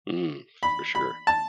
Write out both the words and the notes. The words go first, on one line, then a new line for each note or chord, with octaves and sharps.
Mm, for sure.
B5
B5
A5